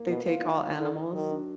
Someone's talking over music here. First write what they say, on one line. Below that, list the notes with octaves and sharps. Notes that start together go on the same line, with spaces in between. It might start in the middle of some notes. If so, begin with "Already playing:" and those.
they take all animals.
Already playing: A#3
B2 B3
F4
D#4
D#3
D3 D#4
D#4
D#3 F#3
D4